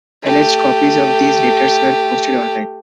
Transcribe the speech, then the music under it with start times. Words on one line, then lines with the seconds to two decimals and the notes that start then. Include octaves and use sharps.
Alleged copies of these letters were posted online.
0.22 A3 G4